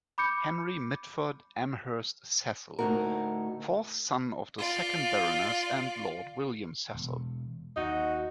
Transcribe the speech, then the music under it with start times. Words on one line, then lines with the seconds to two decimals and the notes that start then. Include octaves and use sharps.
Henry Mitford Amherst Cecil, fourth son of the second Baroness and Lord William Cecil.
0.18 B5 D6 G6 C#7
2.79 D2 A2 F3 D#4 F#4 A#4
4.58 F4 D5
6.94 E1
7.77 D#2 D#4 F#4